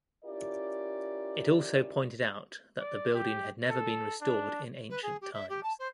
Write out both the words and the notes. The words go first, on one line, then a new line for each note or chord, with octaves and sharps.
It also pointed out that the building had never been restored in ancient times.
C#4 E4 F4 G4 A#4 D5
D5
G4
A4
D4
B4
G#4
G4
E5
G4
A5
C5